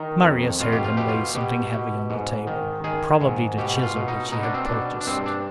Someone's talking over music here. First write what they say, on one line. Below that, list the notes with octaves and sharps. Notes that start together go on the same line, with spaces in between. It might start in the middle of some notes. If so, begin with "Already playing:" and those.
Marius heard him lay something heavy on the table, probably the chisel which he had purchased.
Already playing: D#3 D#4
F2
B2 F4
G4
F4
B2 G4
F4
B2 G4
B2
G#2
D#3
D#3 G#4
G#2
B2 G4
F4
B2
D#4
B2 D#4
D4
C4
B2 D4
D4
G2 C4
D4